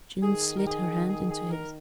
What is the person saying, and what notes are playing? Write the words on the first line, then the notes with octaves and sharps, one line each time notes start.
June slid her hand into his.
D#3 G#4
A#4
G#4
G#4
G#4
A#4